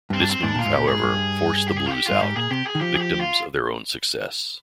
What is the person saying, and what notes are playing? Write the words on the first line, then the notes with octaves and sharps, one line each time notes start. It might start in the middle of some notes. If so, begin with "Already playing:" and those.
This move, however, forced the Blues out, victims of their own success.
G2 C4
D4
C4
G#2 D4
A#2 F4
G#2
A#2 G4
G#2 G#4
G2
G4
G#4
F4
G4
G2 F4
G#2 G4
A#2 G#4
C3 G4
G#4
D#3
F3 G4
G#4
G4
F4